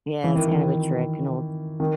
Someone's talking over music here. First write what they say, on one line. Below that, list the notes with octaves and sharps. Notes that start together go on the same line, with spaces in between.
Yeah, it's kind of a trick, an old
E3
D#3
E3
D#3